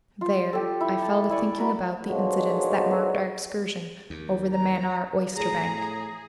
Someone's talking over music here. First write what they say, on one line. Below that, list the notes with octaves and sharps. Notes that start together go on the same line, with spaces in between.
There I fell to thinking about the incidents that marked our excursion over the Mannar oysterbank.
F4
G4 A4
E4
A5
E4 D5 G#5 C#6
F#4 A#4 B4
G#2 B2 D3 F3 F#3
D#2
A#5
A2 G#4 A#5